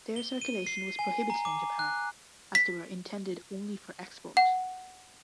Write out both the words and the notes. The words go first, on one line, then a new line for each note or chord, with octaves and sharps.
Their circulation was prohibited in Japan, as they were intended only for export.
G7
D#7
C7
G#5
A#5
D6
F#6
B6
F#5